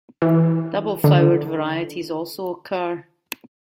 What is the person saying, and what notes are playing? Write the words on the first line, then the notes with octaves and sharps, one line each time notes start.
Double flowered varieties also occur.
E3
D3